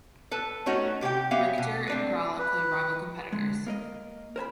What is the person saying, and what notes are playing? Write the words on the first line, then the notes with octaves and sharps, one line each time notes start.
Richter and Gralla play rival competitors.
A4 B4 A5
A3 C#4 D#4 F#4
C3 G4 G#4 G5
B3 C#4 G4 E5 F5
B2
C4 D4 B4
B4
D3 G#3
A#3 A#4 D#5
A#4 C5 G#5 B5